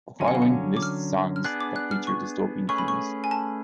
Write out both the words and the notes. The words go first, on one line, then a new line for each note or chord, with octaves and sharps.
The following lists songs that feature dystopian themes.
D3 F#3 C#4 G#5
F#5
F5
F#5
D6
F6
F6
B3 D4 G#4 D5 F#6
D6
F#6
F6
C#6
A3 C#4 G#4 B4 C#6
B5
C#6
G#5
A5